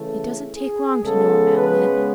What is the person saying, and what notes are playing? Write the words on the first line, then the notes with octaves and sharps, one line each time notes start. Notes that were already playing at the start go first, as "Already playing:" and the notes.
It doesn't take long to know a man then.
Already playing: C#3 E3 A3 A4
G#4
C#3 G#3 B3 A4
B4